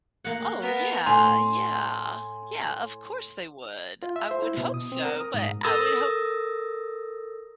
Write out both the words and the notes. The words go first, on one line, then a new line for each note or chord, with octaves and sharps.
Oh, yeah, yeah, yeah, of course, they would. I would hope so, but, I would hope,
A#3 F#5
B3 A#4
A2 G#5 C6 F7
F4
E5
C5
E4
B2
D#6
C4
A#4
D#6
G#2
A4 A#4 D#6 E6 A6 A#6